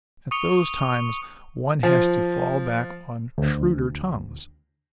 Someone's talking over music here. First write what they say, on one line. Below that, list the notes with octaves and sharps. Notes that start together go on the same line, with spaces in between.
At those times one has to fall back on shrewder tongues.
C#6 D#6 C#7 F7 G7
F3
D2